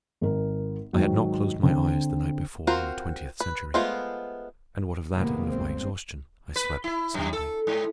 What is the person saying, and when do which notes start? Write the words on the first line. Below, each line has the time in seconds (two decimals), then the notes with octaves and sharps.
I had not closed my eyes the night before on the Twentieth Century, and what of that and of my exhaustion I slept soundly.
0.21 G#1 A#4
0.93 G#2 D#3 F#3
1.63 D3 C4
2.67 C4 F4 F#4 A#4 C5
3.40 B4
3.74 G#3 A3 B3 F4 C5
5.14 A2 C3 D#3 G#3 A#3 B3
5.49 G1 C4
6.56 B4
6.84 E4
7.14 F#2
7.33 A4
7.67 G#2